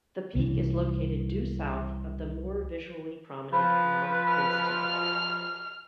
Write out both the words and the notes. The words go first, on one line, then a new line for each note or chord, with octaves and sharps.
The peak is located due south of the more visually prominent Mount Princeton.
C2 E3
F3 B4 B5
F6